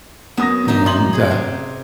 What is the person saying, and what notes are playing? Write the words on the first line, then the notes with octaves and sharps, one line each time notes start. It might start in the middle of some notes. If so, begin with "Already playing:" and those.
and, uh,
F#2 B3 D#6 A#6
F#2 D#4
D#4 C6 F#7
G#4
C3